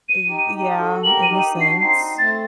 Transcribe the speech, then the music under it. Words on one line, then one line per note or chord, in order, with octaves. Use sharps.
th yeah, in a sense.
D#7
D#4 G4
D#4 G4
F#4 A4
G4 A#4 F#7
D#7
D#4 G4
D4 F#4
C7
C4 D#4 C7
A3 C4 A6